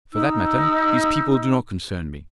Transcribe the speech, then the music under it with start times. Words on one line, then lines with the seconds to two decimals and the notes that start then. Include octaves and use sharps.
For that matter, these people do not concern me.
0.12 D#4 E6